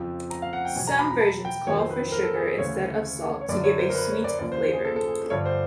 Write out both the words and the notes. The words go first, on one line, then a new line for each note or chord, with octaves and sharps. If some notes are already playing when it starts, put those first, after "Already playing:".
Some versions call for sugar instead of salt to give a sweet flavor.
Already playing: F2 C#3 F3
A#5
F5
F#5
G5
E2 B2 F#3 G#5
A#5
B5
A#5
A5
G5
F2 C3 D#3 F#3 C#5
C5
B4
B4
A#4
A4
G#4
C5
D2 C#3 E3 C#5
C#5
F#2 D3 F#3 D5
C#5
C5
A#4
B4
C#5
D5
D#2 C#3 F3 D5
C5
C5
G#4
A4
A4
G#4
G2 D3 F3 C#5
C5